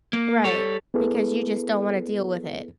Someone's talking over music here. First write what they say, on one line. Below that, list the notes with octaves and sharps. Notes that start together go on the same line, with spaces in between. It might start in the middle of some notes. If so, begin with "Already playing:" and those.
Right, because you just don't want to deal with it.
A#3
G3 A4 C#5
B3 E4 G#4 A4 B4